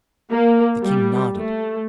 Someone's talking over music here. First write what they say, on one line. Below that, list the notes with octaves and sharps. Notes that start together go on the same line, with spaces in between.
The king nodded.
A#3
G3
A3